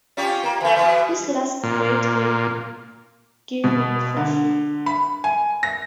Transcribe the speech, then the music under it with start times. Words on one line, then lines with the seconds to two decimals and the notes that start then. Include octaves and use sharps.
His last words were Give me coffee!
0.17 C#4 F4 G4
0.43 A#3
0.61 E3 A3
0.76 B2 E3
1.64 A#2
3.64 B2
4.17 D3
4.86 B5
5.24 G#5
5.63 A#6